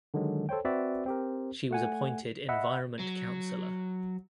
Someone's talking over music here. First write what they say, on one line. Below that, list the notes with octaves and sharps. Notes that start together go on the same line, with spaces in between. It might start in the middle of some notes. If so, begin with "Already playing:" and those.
She was appointed environment counselor.
D3 D#3 F#3 G#3
A4 C5 C#5 G5
C4 F#4 B4 D5 E5
C4 G4 A#4
A3 F#5 G#5
D#5 E5 F#5 B5
F#3